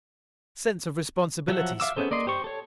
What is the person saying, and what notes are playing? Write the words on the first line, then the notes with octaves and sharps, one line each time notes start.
A sense of responsibility swept me.
F3 F#3 E5 F#5
E5 F5 D6 E6
B3 C#4 G#4 A4 C5
A#3 D5 D#5 C6
G4 C5 C#6
A4 C#5